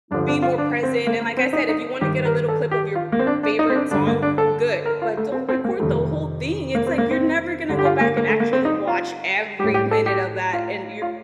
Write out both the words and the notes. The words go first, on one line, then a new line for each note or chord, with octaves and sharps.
be more present, and like I said, if you wanna get a little clip of your favorite song, good, but don't record the whole thing, it's, like, you're never gonna go back and actually watch every minute of that, and you're
G2 D3 F3 D4
D4
F4
D4
C4
A#3
A#3
C4
D#4
D#4
G2 D#3 G3 G4
A#4
A4
G4
F4
A#3
C4
D4
D4
D#4
C4
D4
G2 D3 G3 D4
A#3
D4
A4
A#4
F4
A3
C4
C4
A#3
F2 C3 D#3 G3 A3
A#3
C4
A#3
C4
G2 D3 G3
G4
F4
A#3
A#3
A3
A#3
C4
D#4
F4
A2 G3 G4
G4
A4
G4
F4
F4